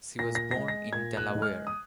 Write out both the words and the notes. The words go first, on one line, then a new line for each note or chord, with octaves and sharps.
She was born in Delaware.
A#2 A#6
A#6
A#6
G#3
A#6
A#2 G#6
F#6
G#3
F6
D#6